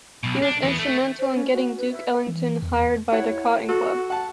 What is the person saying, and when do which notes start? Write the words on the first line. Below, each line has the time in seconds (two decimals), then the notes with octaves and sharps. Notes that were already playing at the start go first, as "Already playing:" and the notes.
He was instrumental in getting Duke Ellington hired by the Cotton Club.
0.24 B1 B2
0.42 D4
0.63 E3 B3
0.79 A3
1.19 C5
1.35 C#4
1.52 F#4
1.77 B4
1.92 E5
2.27 E3
2.62 E2
3.12 E4 C#5 F#5
3.69 F#4 A4
4.10 F#5 A5